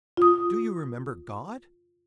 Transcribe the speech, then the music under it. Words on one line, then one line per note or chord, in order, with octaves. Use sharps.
Do you remember God?
F4 D#6